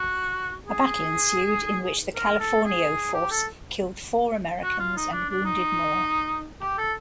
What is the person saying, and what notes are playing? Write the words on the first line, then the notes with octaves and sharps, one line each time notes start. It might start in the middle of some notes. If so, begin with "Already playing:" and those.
A battle ensued in which the Californio force killed four Americans and wounded more.
Already playing: F#4
G#4
A#4
A4
G#4
G4
A4
F#4
F4
D#4
D4
D4
D#4
G4
A4